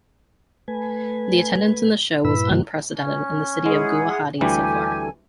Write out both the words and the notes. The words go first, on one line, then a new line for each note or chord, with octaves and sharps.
The attendance in the show was unprecedented in the city of Guwahati so far.
A3 B4 G#5
G2 A#2 E4 B4 B5 E6
G2 C3 D#3 G3 A#3 F#4
C#4
G#3 E4 G#4 F#5
D2 E3 G3 G4 A4 G#5